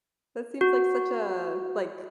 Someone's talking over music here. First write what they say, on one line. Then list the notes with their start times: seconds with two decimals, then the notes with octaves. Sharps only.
That seems like such a, like
0.61 F#4